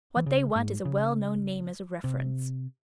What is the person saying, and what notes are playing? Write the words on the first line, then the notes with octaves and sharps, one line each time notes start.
What they want is a well-known name as a reference.
E3
C#3
G#2
C#3
C3